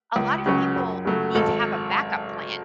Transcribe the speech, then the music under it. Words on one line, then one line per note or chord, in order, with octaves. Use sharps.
a lot of people need to have a backup plan
C#2
C#3 F#3 C#4
F#2
C#3 F#3 A3
G#1 A4